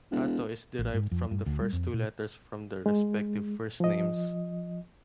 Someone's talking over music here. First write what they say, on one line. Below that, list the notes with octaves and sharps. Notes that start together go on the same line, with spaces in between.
"Kato" is derived from the first two letters from their respective first names.
E1
A1
G#2
F2
G2
D2
G3
F2
A#2
G#3
F3 D#5